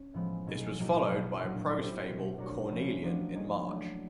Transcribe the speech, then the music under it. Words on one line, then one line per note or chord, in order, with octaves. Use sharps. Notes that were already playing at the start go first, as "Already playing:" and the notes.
This was followed by a prose fable, "Cornelian", in March.
Already playing: C#4
A2 F3 G#3 B3
B2 F#3 A#3 D#4 G#4
A2 F#3 A#3 D#4 G4
B2 F#3 B3 E4 A4
A#2 F#3 A#3 D4
B3 E4 G4 C5
B2 G3 C4
A3 D4 F#4 A#4 C#5
F3 A3 C#4 E4 G4
F3 A#3 D4 F#4
A#3 D#4 G#4 C#5
F#3 A3 D4